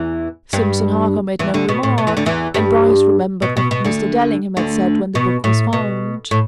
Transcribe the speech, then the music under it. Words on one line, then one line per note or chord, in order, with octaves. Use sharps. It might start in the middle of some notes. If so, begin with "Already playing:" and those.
Simpson Harker made no remark, and Bryce remembered what Mr. Dellingham had said when the book was found.
Already playing: E2 E3
G2 G3
E2 E3
D2 D3
B2
A2
B2
E2 E3
D2 D3
E2 E3
G2 G3
B2
B2
B2
D2 D3
D2 D3
B2
A2
B2
A2